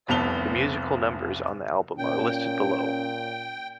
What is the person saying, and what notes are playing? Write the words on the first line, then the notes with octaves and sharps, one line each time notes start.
The musical numbers on the album are listed below.
F1 C2 B3 A5 F7 G7
A#2 C#4 G5